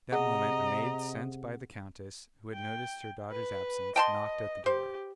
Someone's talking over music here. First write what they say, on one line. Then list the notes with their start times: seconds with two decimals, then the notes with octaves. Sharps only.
At that moment a maid sent by the countess, who had noticed her daughter's absence, knocked at the door.
0.12 C3 G#4 D#5 F#5 A#5
2.54 G5
3.32 B4
3.96 D#5 G5 A5 C6
4.66 G4 C5